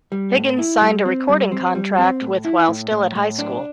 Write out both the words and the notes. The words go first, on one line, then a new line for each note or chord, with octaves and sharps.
Higgins signed a recording contract with while still at high school.
G3
A2
E4
G3
C4
G3
C4
G3
C4
A2
E4
A2
A2
A2
D4